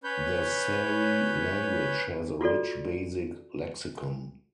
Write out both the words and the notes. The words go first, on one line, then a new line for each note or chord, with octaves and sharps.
The Seri language has a rich basic lexicon.
C#4 B4 C#5 B5 G6
F4 F#4 A4 D5